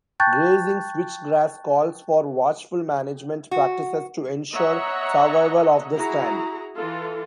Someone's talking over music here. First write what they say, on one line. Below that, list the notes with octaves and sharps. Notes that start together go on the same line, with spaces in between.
Grazing switchgrass calls for watchful management practices to ensure survival of the stand.
G5 A5 C#6 F#6 G6 A6
F#4
C#5 D#5 E5 F#5 A#5
E4 F#4 G#4 A#5
E3 F4 A4